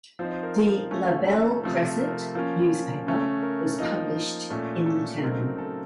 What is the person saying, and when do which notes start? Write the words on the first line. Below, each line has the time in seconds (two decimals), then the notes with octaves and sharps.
The "La Belle Cresset" newspaper was published in the town.
0.19 F3 C4 D#4 C5
0.31 C5
0.43 A#4
0.55 A#4
0.91 F3 A3 C#4
1.27 A4
1.63 C3 F3 A3
1.99 A#4
2.35 F3 A#3 C#4
3.07 C#3 A3 C#4
3.42 A#4
3.79 F3 A#3 D#4
4.50 A#2 A3 C#4
4.86 A4
5.22 C#3 F#3 A3 C4 D#4 A#4
5.58 A4